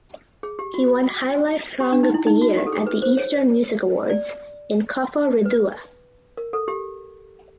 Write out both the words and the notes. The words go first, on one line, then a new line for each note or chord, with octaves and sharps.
He won Highlife Song of the Year at the Eastern Music Awards in Koforidua.
G#4
G4
F#4
G4
D4
D#4
E4
D#4
F#4
G4
A4
G#4
B4
C5
C#5
D5
B4
A#4
A4
G4